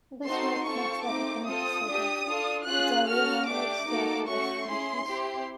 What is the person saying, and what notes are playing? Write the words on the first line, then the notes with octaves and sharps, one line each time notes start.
This road connects Letterkenny to Sligo, Derry and onwards to other destinations.
C4 D#4 F#4 A4 C6
C4 F4 A4 C#6
A3 C4 D#4 D6
C4 F4 A4 D#6
D4 G4
D4 F4 A4
C#4 F4 G#4 F#6
C#4 F#4 A4 F6
A3 D4 G4 D6
A#3 D#4 F#4 A4
A3 C#4 F#4 C#6
C#4 E4 G#4 C6
C4 E4 G4